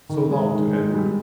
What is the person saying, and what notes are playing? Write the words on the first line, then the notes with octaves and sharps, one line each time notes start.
"So long," to Edward.
D#3
G#3
D#3
G#3
G3